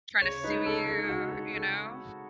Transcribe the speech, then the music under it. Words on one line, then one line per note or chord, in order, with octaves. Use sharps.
tryna sue you, you know.
C#3 C#5
G#3 D#4 B4
C#3 A4
G#3 D#4
G#4
C#3 F#4
G#3 D#4 G#4
C#3 A4